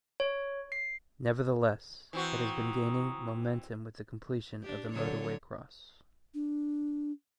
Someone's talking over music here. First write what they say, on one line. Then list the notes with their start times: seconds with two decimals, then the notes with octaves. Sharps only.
Nevertheless, it has been gaining momentum with the completion of the motorway cross.
0.20 C#5
0.72 C7
2.13 E3 C4 F#4 A#5 C#6 D#6
4.63 D4 G4
4.92 D3 F#3 C#5
6.34 D4